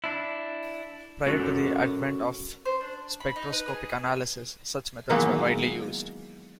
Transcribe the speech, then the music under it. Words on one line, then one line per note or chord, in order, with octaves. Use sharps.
Prior to the advent of spectroscopic analysis, such methods were widely used.
D4 E4
C#4 F#4 A4 A#4
C5
D4
B5
D#4
B4
G#4
D#3 E3 F#3 G#3 A#3 B3